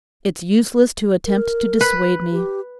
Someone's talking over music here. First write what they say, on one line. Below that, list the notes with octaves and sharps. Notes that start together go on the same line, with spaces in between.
'It's useless to attempt to dissuade me.'
A#4
B4
G4